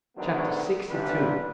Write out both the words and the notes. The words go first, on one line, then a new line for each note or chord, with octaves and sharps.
Chapter LXII.
G#2 D3 D#3 F#3 A3 B3
A1 D#2 D3 G3 B4